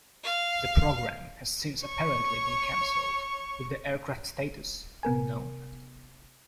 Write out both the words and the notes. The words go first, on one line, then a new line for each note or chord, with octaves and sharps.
The programme has since apparently been cancelled, with the aircraft's status unknown.
F5
C#5 C#6
C3 B3 A#4 G#5